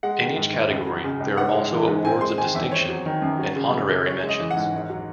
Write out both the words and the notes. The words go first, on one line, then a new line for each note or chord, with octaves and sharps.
In each category, there are also Awards of Distinction and Honorary Mentions.
G#3 F#5
D#3
G#2
G#1
C#2
F#3
C#3
C#2
G#2 F#5
G#3
E3
G#2
C4 G#5
G#3 C6
D#3 G#5
E2 E5
C4 C#5
F#3
D#3
F#2
F#3
C#3
F#2
F#1
C#4 C#5
G#3
D#5
E3
F#5
G#2
G#1
F#3